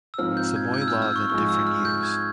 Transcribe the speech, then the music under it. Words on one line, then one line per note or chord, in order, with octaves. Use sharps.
Samoylov in different years.
E6
G#2 F3 C4 F6
G6
G#6
G6
E6
F6
E6
C#6
G#2 F3 G#3 C#6
E6
F6
G6
G#6